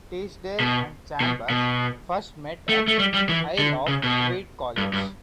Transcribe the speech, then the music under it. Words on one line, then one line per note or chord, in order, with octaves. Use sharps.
Teasdale and Chambers first met at Isle of Wight College.
B2
B2
B2
A3
A3
G3
G3
E3
D3
C#3
B2
G2
G2